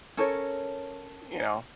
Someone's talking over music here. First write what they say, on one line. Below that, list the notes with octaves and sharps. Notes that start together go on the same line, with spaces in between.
you know,
C#4 A4 A#4 C#5